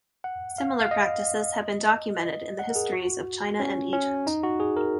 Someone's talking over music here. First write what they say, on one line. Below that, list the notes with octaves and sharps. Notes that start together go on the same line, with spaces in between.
Similar practices have been documented in the histories of China and Egypt.
F#5
F5
F5
D#5
D#5
F#5
A#4
G#4
F#4
C#4
C#4
D#4
F#4
G#4
A#4